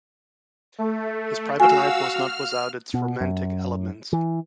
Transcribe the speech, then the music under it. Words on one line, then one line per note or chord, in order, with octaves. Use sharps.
His private life was not without its romantic elements.
A3
F#4 F5 G#5 E6
F6
B2
F#2
E3